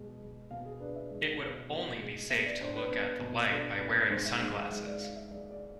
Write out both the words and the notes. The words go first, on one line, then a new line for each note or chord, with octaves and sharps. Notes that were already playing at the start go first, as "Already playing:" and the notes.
It would only be safe to look at the light by wearing sunglasses.
Already playing: B2 G#3
G#3
B2 F5
G#4
D4 B4
E5
G#3
B2
B2
G#3
B3 E5
D5
D4 C5
B4
B3
B2
D4 A4
B3 B4
G#2 C5
E5
G#2 C5
F5
G#3 E5
D5
G#3 F5
E5
G#3 D5
D5